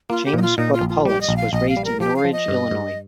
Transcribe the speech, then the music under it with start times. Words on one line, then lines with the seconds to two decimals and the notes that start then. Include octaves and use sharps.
James Fotopoulos was raised in Norridge, Illinois.
0.10 A#3 F4
0.25 G4
0.34 A#2 D#4
0.42 F4
0.58 A#2 D#4
0.73 F4
0.81 A#1
0.89 F4
1.05 G3 G4
1.21 D#5
1.29 A#1
1.37 F5
1.53 A#1 D#5
1.69 F5
1.77 G3
1.85 A#4
2.00 F3 G4
2.16 F5
2.24 F3
2.32 D#5
2.48 G2
2.71 G2